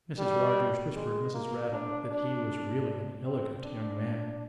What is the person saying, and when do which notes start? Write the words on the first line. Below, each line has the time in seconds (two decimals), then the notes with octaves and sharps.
Mrs. Rogers whispered Mrs. Raddle that he was really an elegant young man.
0.19 G3
0.96 G#3
1.34 A#3
1.72 D4
2.10 D4
3.25 C4
3.64 D4